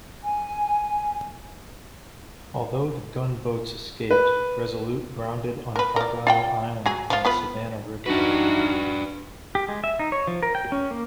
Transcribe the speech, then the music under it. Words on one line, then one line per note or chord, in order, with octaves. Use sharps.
Although the gunboats escaped, "Resolute" grounded on Argyle Island on the Savannah River.
G#5
B4
A#4 B4
A#4 D5
F4 E5 G5
F#3 G#4
F3 F4
B3 F4 B4
E3 D4 D#4 F#4 B4
G4
G#3
E5
D#4
C#5
F3
A#4
G5
C#4
A#3